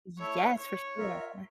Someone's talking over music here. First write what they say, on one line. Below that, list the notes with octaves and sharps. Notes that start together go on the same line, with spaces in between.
Yes, for sure.
A3 E4 A4 C#5 E5
C#5
F4 A#4 E5